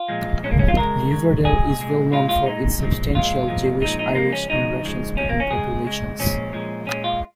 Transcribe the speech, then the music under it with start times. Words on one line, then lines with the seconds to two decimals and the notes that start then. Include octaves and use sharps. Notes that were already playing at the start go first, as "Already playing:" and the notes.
Riverdale is well known for its substantial Jewish, Irish and Russian-speaking populations.
Already playing: F4
0.08 A#2 F3 G#3
0.43 A#2 F3 G#3 C#4
0.51 A#3
0.59 C#4
0.68 F4
0.77 C#3 G#3 A#4
1.11 C#3 G#3
1.44 A#2 G#3 G#4
1.78 A#2 G#3
2.12 A#2 G#3 F4
2.29 F4
2.46 A#2 G#3 D#4
2.80 A#2 F3 G#3
3.14 A#2 F3 G#3 F4
3.48 A#2 F3 G#3
3.81 A#2 F3 G#3 D#4
3.99 D#4
4.15 C#3 F3 G#3 A#3
4.32 C#4
4.49 C#3 F3 G#3 D#4
4.83 C#3 F3 G#3
5.17 C#3 F3 G#3 C#4
5.29 A#3
5.40 C#4
5.51 C#3 G#3 G#4
5.84 C#3 G#3
6.19 A#2 F3 G#3 C#4
6.53 A#2 F3 G#3
6.87 A#2 G#3 C#4
7.04 F4